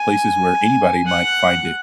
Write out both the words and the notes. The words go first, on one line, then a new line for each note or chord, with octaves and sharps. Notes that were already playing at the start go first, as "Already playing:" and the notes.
places where anybody might find it,
Already playing: G#5
F#5